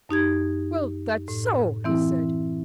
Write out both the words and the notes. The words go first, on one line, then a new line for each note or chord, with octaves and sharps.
"Well, that's so," he said.
F#2 D#4 G4 G#6
A2
E3 C4 E4